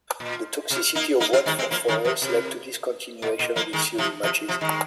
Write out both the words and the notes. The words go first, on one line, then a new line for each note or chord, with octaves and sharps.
The toxicity of white phosphorus led to discontinuation of its use in matches.
A#2
C3
A#3 D#4
A#3 D#4
C4 F4
D#3 G#3
G#3 C4
F3 A#3
D#3 G#3
C3 F3
C3
A#2
A#2
F3 A#3
D#3 G#3
C3 F3
C3 F3
C3 F3
D#3 G#3